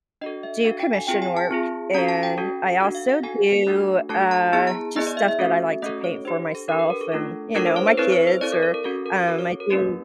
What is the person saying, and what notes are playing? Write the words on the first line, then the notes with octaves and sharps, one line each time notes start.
do commission work, and I also do, uh, just stuff that I like to paint for myself and, you know, my kids, or, um, I do
D4 F#4 A4 D#5
E5
D4 F#4 A4 F5
G5
G#5
C4 F4 G#4 G5
G#5
A5
C4 F4 G#4
C#4 F#4 A4 A#5
A5
G5
C#4 F#4 A4
D4 F#4 A4 F#5
F5
F#5
D4 F#4 A4 G#5
A3 D4 F#4 A4
A3 D4 F#4 A4 A5
A#5
B3 E4 G#4 A5
A#5
B3 E4 G#4 D#5
D5
E5
E5
A3 C#4 F#4 A4
A3 C#4 F#4 A4 D#5
C#5
D4 G4 C5
A4
D4 G4 A#4
B4
A#4
A4
A3 D4 F4 A4
A3 D4 F4 A4 A#4
C5
C#5
C5
C4 E4 A4 B4
C#5
C5
C4 E4 A4 D5
A#4
A4
A#4
C#4 F#4 A4
A#4
C#4 F#4 A4 A#4
C#5
A#4
A#3 C#4 E4 G4 B4